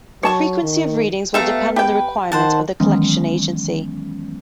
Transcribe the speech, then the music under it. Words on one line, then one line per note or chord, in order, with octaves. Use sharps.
The frequency of readings will depend on the requirements of the collection agency.
F#3 C#5 A5 C#6
D#3
G3 A3 B3 E5 F5 A#5
G4 B4 G5
D#3 C5 F#5 A5
D#3 E3 F#3 G#3 B3 C#4